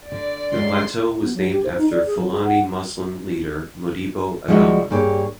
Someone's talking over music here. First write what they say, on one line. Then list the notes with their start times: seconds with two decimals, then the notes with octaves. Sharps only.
The plateau was named after Fulani Muslim leader Modibo Adama.
0.12 D3 D5
0.52 A#2 D3 G#3 C#4 C6
1.21 B3
1.34 F#3
1.52 G4
1.64 C5
1.78 D#4
1.91 D5
2.06 G#4
2.18 F#3
2.31 G#4
2.45 F#5
4.48 F3 G3 G#3 E4 F#4 E5
4.90 G2 A#3 G4 G#4 C#5